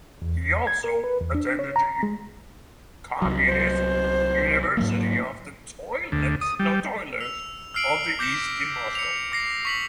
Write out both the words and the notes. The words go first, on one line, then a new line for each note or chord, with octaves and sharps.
He also attended the Communist University of the Toilers of the East in Moscow.
E2
G#6
A#4
B4
E2
D4
C#5
A#5
G#3
C2 F#3
C5
G#2 F#3 A#3
D2
D#6
G3
E6 F7
E6 F6 C7 D7 F#7
D6 G6 A#6 B6 E7
C#7 F7
D6 A#6 C7
C#6 B6 F#7